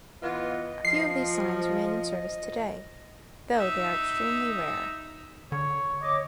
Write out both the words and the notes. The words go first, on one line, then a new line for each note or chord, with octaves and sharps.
A few of these signs remain in service today, though they are extremely rare.
E3 B3 F4 D#5
F3 C7
D#4 E5
D3 C#5
C#5 D#5 D6